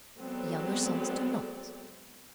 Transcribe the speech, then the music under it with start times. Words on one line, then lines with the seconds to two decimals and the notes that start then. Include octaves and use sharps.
The younger sons do not.
0.18 F#3 G#3 B3 C4 A4 D5